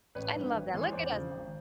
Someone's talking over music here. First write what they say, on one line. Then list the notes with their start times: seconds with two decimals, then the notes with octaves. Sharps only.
I love that. Look at us.
0.15 A1 B4 C#5
0.34 G2 D#3
0.54 G#1
0.73 G#2 E3 G#3 B3
0.81 C#5
0.92 E2 C5 D5
1.11 C#3 F3
1.31 G#1